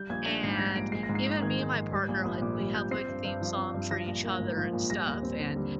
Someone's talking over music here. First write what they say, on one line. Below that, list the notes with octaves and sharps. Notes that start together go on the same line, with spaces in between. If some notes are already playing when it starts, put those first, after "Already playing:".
and even me and my partner, like, we have, like, theme songs for each other and stuff and
Already playing: G3 G6
A#1 G#6
D4 A#6
G#2 C7
G#6
G3 A#6
A#1 D7
G#3 C7
A#6
G#2
C7
D#4
D#3 G#6
G#3
G#2
G3
A#1
A#1
A#2 D6
G3
A#1 G6
C4 C7
G2
G2
F3
C4
G2
F3 A#6
A#1
A#3
G#2
F3
A#1
G3 A#6
D#2
C4
D3
G3